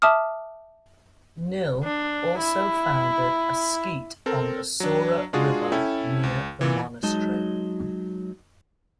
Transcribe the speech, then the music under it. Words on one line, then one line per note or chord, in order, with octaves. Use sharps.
Nil also founded a skete on the Sora River near the monastery.
E5 A5 D6 D#6 F6
D4
E4
C4 A4 A#4
F#3 D4
G#3 D4 F4 F#4 G#4
C#4 E4 A4 G5
C#2
A#2 E3
F#3 G#3 D#4 D#5 A5